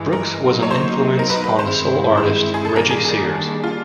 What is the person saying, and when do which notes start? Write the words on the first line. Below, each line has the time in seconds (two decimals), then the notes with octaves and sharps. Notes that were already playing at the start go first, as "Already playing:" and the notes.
Brooks was an influence on the soul artist Reggie Sears.
Already playing: G2 E3 G#3
0.13 A#4
0.42 B2 F#3 A#3 D#4
0.63 C#5
0.71 C5
1.19 A#4
1.30 B4
1.44 B4
1.58 G2 D#3 G#3 C4 E4 C5
2.17 C5
2.54 G#4
2.65 A4
2.76 D#3 G3 A#3 D4 A#4
2.90 G#4
3.05 G#4
3.64 F4